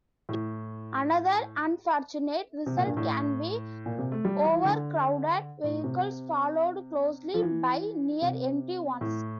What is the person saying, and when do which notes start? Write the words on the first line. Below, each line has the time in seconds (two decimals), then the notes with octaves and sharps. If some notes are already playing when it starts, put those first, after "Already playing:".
Another unfortunate result can be overcrowded vehicles followed closely by near-empty ones.
0.29 A2
2.66 C3
2.77 A#2
2.87 G2
2.97 A2
3.86 A#2
3.98 C3
4.12 A3
4.25 G3
4.45 E3
4.65 D3
5.64 A2
5.84 C3
7.34 F3
7.42 E3
8.22 C3
9.01 A2